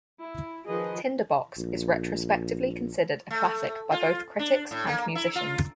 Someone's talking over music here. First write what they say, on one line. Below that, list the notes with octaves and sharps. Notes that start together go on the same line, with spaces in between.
"Tinderbox" is retrospectively considered a classic by both critics and musicians.
E4
D#3 F3 G#4 B4 D#5
A#1
A3
F4
D4
A2
A#3
E4
F4